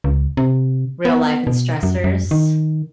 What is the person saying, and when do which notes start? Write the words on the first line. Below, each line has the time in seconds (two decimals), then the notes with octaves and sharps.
real life and stressors.
0.04 C#2
0.37 C3
1.05 B3
1.47 B2
1.83 F#2
2.04 F#2
2.31 D#3